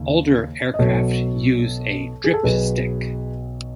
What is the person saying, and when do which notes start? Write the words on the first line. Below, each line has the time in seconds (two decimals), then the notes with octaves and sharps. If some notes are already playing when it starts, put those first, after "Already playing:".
Older aircraft use a dripstick.
Already playing: D#2 C#3
0.74 D#5
0.79 B1 B2 F#3 A4 C#5
2.24 G#4
2.34 A4
2.43 B1 B2 F#3 G#4 B4